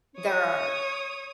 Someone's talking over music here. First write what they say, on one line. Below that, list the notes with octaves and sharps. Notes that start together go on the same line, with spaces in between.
there are
C#5 D#6